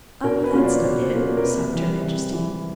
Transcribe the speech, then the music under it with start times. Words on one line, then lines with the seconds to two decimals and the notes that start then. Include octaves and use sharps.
"Oh, that's not it!" sobbed her Majesty.
0.24 B2 A#4
0.44 B4
0.54 F#3 A#3 C#4 F4
0.64 D5
0.84 B2 C5
1.13 F#3 A#3 C#4 F4
1.37 A#4
1.43 C3 B4
1.74 E3 G3
2.04 C3
2.33 E3 G3